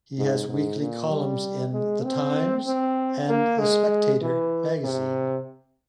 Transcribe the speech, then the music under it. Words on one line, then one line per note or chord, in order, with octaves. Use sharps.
He has weekly columns in "The Times" and "The Spectator" magazine.
G#2
G#2
A#2
G3
G#3
C4
C4
A#3
G#3
E3
C3